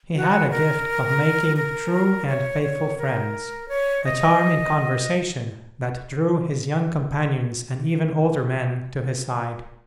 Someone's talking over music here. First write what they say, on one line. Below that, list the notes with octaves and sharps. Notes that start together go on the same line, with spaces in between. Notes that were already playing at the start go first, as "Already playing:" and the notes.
He had a gift of making true and faithful friends, a charm in conversation that drew his young companions and even older men to his side.
F#4
A#4
A#4
C#5
C#5
A#4
C#5
D#5